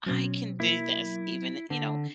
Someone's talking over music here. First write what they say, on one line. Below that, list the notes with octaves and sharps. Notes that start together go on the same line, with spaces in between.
I can do this, even" you know,
B2 F#3 C4 C#4
A#3 E4
D3 C4